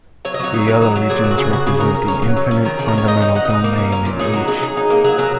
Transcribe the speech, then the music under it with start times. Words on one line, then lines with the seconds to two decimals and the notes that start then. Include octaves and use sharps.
The yellow regions represent the infinite fundamental domain in each.
0.25 F#3 C#5
0.34 D#5
0.39 F#3 C#5
0.54 D#4
0.68 F#3
0.82 F#3
0.96 F#3
1.10 A#2 G#4
1.24 F#3
1.31 F#4
1.38 C#3 G#4
1.53 C#3 F#4
1.66 C#3 G#4
1.80 C#4 A#4
1.94 C#4 A#4
2.08 C#4 C#5
2.22 F#3
2.36 F#3
2.51 C#4
2.65 D#3 A#4
2.79 D#3 G#4
2.88 A#4
2.93 C#4 C#5
3.07 D#4 D#5
3.22 D#4
3.35 D#4 F#5
3.45 D#5
3.50 D#4
3.64 A#3 A#4
3.78 C#4
3.92 C#4
4.05 A#2
4.20 D#4 G#4
4.34 F#3 F#4
4.48 F#3 G#4
4.63 D#4
4.77 D#4
4.90 A#3
5.04 F#3 G#4
5.18 F#3 A#4